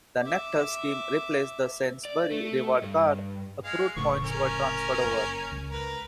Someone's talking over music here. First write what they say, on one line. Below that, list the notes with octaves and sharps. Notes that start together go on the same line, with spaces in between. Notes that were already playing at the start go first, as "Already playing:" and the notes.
The Nectar scheme replaced the Sainsbury's Reward Card; accrued points were transferred over.
E5 D6
D5
A3
G2
G#3 F5
F1 A2 C#3 B3 C#6
C#4 A#4
F#1
C#2
A#4 B4